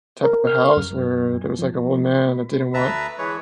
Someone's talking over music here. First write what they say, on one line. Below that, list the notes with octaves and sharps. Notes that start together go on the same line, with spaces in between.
type of house where there was like an old man that didn't want,
A#4
F6
F#2
F3
D2 B4 E5 A5 A#5 E6
E3 G#3 B4 C#5